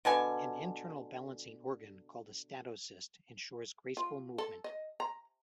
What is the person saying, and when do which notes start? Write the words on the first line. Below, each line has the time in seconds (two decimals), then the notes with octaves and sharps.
An internal balancing organ called a "statocyst" ensures graceful movement.
0.05 B2 D3 G#5
3.97 F4
4.38 A4
4.64 D#5
5.00 A#5